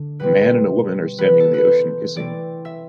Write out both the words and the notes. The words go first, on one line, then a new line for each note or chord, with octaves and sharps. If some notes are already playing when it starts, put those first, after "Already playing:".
A man and a woman are standing in the ocean kissing.
Already playing: D3 A3 D4
B2 G3 C4 B4
C3 E3 B3 B4
A4
B4
C5
E3 A3 C4 D5
E5